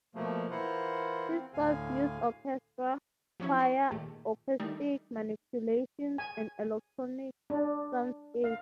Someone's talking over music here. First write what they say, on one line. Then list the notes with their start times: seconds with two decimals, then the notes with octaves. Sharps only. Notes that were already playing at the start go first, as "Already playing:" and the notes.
His scores use orchestra, choir, acoustic manipulations and electronic soundscapes.
0.15 B2 F3 A3 A#3
0.51 E3 E4 F4 A#4 C5 F#5
1.30 C4
1.54 D2 A2 D3 F5 G#5
3.40 F3 F#3 C#4 E4
3.59 C6 C#6
3.91 A#2 D#3 A3 G4 G#4
4.60 D#3 G3 A3 D4 D#4
6.18 G#5
7.50 D4
8.44 F5